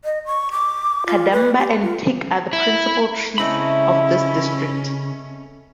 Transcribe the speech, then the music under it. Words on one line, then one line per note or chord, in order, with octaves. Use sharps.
Cadamba and teak are the principle trees of this district.
D#5
C#6
D6
F4
B4
G4
F4
E4
C#3 A3 C4 C#4 D#4 E4 B5